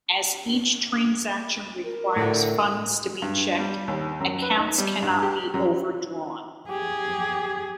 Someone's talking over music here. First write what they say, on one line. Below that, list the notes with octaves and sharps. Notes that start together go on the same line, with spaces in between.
As each transaction requires funds to be checked, accounts cannot be overdrawn.
A#4
A2 D3
G2
G3
D#2
F#2
B4
D#4
G3
G2
G4
F#2
G4 G#4